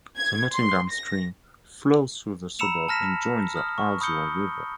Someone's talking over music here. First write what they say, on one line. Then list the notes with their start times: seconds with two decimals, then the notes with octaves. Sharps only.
The Nottingham Stream flows through the suburb and joins the Halswell River.
0.16 G#6
0.53 C6
0.90 A#6
2.59 A#5 B5 E6 C#7 E7 F7
2.89 A5 F6 A#6 B6 E7
3.56 D#6 F6
3.78 C#6
4.01 B5 D#6 E6 G6 C#7 G7